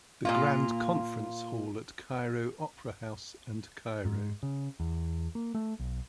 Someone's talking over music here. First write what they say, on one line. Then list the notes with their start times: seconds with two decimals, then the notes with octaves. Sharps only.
The Grand Conference Hall at Cairo Opera House and Cairo.
0.25 A#2 A#3 F4
4.05 G#2
4.43 C#3
4.80 E2
5.35 A#3
5.55 A3
5.79 B1